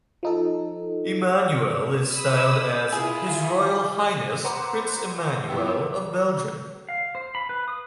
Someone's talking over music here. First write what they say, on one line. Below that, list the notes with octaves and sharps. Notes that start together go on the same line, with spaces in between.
Emmanuel is styled as "His Royal Highness Prince Emmanuel of Belgium".
F3 D#4 A4
B5 D#6 E6
E4 F4 G#4
B4 C5 F#5 A#5 D6
F2 B2 B3 E4 G5 E6
F5
C5
B5
B4
D#6